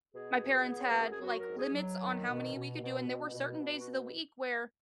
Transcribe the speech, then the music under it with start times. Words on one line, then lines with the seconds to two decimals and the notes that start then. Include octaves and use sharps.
my parents had, like, limits on how many we could do, and there were certain days of the week where,
0.15 B2 G#4
0.42 C#2
0.69 B3
0.81 C#5
0.92 F#2 B4
1.01 A#4
1.12 G#4
1.21 F#3 F#4
1.39 A#4
1.48 G#2
1.58 G#4
1.74 F#3
2.01 D#3
2.29 B2
2.55 B2
2.82 B2
3.08 B2
3.34 B2
3.61 B2
3.80 F#4